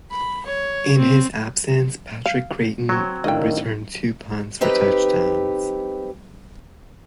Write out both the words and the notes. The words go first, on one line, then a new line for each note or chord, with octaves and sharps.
In his absence, Patrick Crayton returned two punts for touchdowns.
B5
C#5
C4
F5
F#3 C4 C#5
A2 D3 D#3 A#3 D#5 G5
C4 D#4 G4 B4